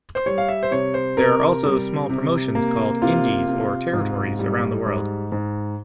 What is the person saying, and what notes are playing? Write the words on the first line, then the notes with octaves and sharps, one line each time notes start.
There are also small promotions called indies or territories around the world.
C5
G3 C#5
F5
E5
C5
C3 C#5
C5
C3 A#4
G3
C3
A#3
C3 F4
C3
G#2
G3
G#2
G#2